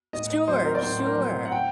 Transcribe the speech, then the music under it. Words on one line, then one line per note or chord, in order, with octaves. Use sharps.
Sure, sure,
A2 D#5
D#5
F#3 C4 C5
A#4
D5
A2 C5
C5
A#4
F#3 C4
F#5
G5